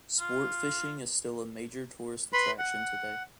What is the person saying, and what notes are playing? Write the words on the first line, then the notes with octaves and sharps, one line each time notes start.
Sport fishing is still a major tourist attraction today.
F4
B4 B5 C6
F#5